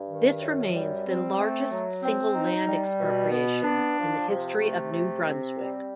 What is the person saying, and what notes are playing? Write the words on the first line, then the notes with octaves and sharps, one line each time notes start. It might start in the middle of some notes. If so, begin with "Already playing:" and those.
This remains the largest single land expropriation in the history of New Brunswick.
Already playing: G2
D#3
F#2
G3
C4
A3
F#3
C4
D#4
G3
B2
B3
D4
F3
C3
A3
C3
C4
G3